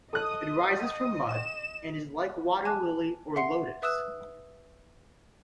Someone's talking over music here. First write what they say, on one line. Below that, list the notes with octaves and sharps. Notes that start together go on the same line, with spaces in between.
It rises from mud, and is like water lily or lotus.
A4 D#5 D#6 F#6
E7
G#5 A5 D6 F#6
E5 F#5 C6 C7 C#7
B4 E5 D#6 E6 F#6 E7